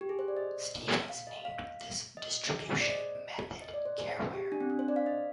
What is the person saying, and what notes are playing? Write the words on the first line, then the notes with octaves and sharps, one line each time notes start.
Stevens named this distribution method careware.
G4
G#4
C5
D5
D#5
F5
D#5
F5
D#5
G#4
C5
D5
D#5
D#5
D5
C5
G#4
G4
D4
C4
D4
C5
D5
F5
D#5